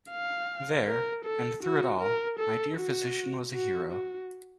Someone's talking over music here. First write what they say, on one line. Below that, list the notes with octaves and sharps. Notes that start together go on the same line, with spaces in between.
There, and through it all, my dear physician was a hero.
F5
A#4
A4
F#4
A#4
A4
F#4
F#4
F#4